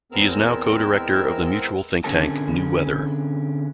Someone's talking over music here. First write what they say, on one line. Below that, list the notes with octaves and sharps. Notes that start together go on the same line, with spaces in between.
He is now co-director of the mutual thinktank New Weather.
E2 G#3 B3 C4 A#4 E6
D3 C4 C#4 G#4 A#4 A5